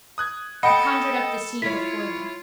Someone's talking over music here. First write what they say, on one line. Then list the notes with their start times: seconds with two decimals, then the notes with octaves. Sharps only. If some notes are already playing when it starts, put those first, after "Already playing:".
He conjured up the scene before them.
0.18 D#6 F#6 G#6
0.63 A4 D#5 F#5 G5 B5 D#6 C#7
1.62 E4 F4 C#5 B6